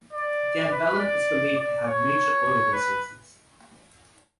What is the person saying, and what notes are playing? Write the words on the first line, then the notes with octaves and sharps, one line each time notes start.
Gambela is believed to have major oil resources.
D5
B4
D5
D5
C#5
B4